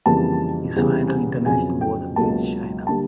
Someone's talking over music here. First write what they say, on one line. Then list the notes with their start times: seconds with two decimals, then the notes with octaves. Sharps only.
His final international was against China.
0.06 F2 C#3 E3 G3 A#3 A5
0.76 E2 C#3 E3 G3
1.46 F2 C#3 F#3 B3 G#5
1.81 G5
2.16 C#2 B2 F#3 A#3 A5
2.87 D3 G3 A#3 A5